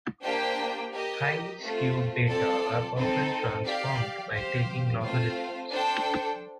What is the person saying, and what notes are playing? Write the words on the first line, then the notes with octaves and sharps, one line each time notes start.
Highly skewed data are often transformed by taking logarithms.
A#3 D4 G4 C5 G5
G4 A#4 D#5
A3 C4 F4
C4 F4 A4 D5 A5
C4 D#4 A4
G4 D5 F5
G4 C5 F5
A3 C4 F4 C5 F5
D4 A4 C5 G5